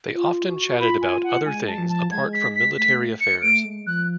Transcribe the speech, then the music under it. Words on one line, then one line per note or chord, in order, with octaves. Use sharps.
They often chatted about other things apart from military affairs.
F4
F#4
F4 B5
G#5
F#5
G#3 G#5
A5
F3
A5
G#3 G#6
B6
B6
A3 B6
C#7
A3 D7
G#3
F3 F#6